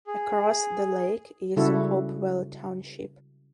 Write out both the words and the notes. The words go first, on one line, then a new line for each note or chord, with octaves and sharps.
Across the lake is Hopewell Township.
G#4
C#3 G3 E4 F#4 A4